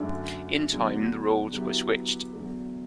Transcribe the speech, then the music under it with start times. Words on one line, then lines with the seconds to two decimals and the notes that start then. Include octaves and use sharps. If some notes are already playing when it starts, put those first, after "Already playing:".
In time, the roles were switched.
Already playing: F#2 D3 A3 D4
0.72 E2 D3 F#3
1.52 D3 F#3 B3 E4 G4
2.33 E2 D3 F#3 A3